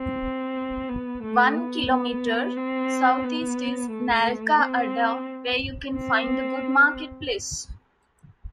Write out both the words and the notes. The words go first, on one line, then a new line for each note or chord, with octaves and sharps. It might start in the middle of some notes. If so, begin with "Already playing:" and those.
One kilometer south east is Nalka Adda where you can find a good marketplace.
Already playing: C4
B3
A3
B3
B3
C4
B3
A3
C4
C4